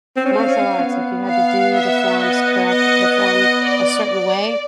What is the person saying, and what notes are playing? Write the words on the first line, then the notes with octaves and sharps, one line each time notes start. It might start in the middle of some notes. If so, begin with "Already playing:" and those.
martial arts, like, you had to do the forms correct the form a certain way.
C4
C#4
C4 F5
C#4
B3
F5
E5
D#5
D#5
D#5
D5
D5